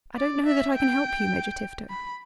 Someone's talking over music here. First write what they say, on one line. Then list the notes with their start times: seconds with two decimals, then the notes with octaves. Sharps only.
"I don't know that I can help you, Major Tifto."
0.18 D5
0.46 E5
0.75 G5
1.90 B5